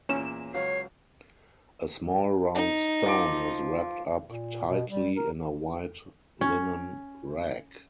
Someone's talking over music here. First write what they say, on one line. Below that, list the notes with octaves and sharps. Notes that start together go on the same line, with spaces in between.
A small round stone is wrapped up tightly in a white linen rag.
E2 A#2 C#4 E7
C#2 F#3 C#5 F5 C7
D#4
F3 D6
A#2
B2
G3
A#4
C#4